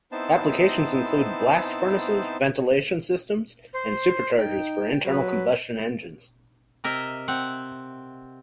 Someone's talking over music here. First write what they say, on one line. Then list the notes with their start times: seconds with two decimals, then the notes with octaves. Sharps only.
Applications include blast furnaces, ventilation systems, and superchargers for internal combustion engines.
0.12 B3 C4 D#4 E4 C5 A5
3.73 C5
4.37 D#4 G5
5.05 F#3 B4
6.84 C3 A#4 D#5 E5
7.28 C4 F#5